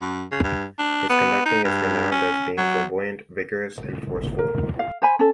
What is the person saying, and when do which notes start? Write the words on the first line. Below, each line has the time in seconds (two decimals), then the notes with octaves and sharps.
His conducting is renowned as being flamboyant, vigorous and forceful.
0.02 F#2
0.31 C#3
0.44 G2
0.79 D4
1.10 B3
1.45 D#4
1.64 G2
2.11 C#4
2.58 F#3
4.39 A#4
4.79 F5
5.02 C5 G#5 B5
5.19 C#4 A4